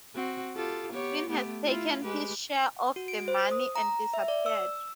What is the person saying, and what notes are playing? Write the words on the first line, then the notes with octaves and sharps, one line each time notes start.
Finn has taken his share of the money and disappeared.
C4 F#4
F4 G4 A4
B3 G4 C#5
A3 B3 G4
E4 F4
G#3 G4 B4
F#4
D7
C5
D#6
A#5
E5
D5
E6